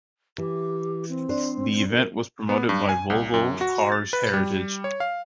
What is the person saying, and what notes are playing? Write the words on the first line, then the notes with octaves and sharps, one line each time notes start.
The event was promoted by Volvo Cars Heritage.
E3 G4
C4
D4 C5
A#4
B3
G2
G#5
C2
F#2
F#4
A6
B4
G3
C#5
F5